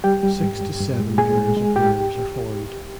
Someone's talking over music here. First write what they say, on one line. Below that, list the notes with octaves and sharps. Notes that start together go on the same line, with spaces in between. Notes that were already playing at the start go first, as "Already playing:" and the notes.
Six to seven pairs of nerves are formed.
G3 G4 G5
G3
G#2
G2
G2
G#3
A#2 G#4 G#5
G#3
G#3
G#2 G4 G5